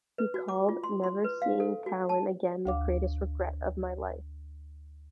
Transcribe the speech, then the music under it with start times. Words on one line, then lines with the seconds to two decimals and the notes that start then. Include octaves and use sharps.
He called never seeing Cowan again the greatest regret of my life.
0.18 B4
0.34 F#4
0.48 D6
0.69 F4
0.84 C6
1.04 C6
1.24 B4
1.42 F5
1.60 A4
1.86 F#4
2.09 A5
2.66 D2 F5 D6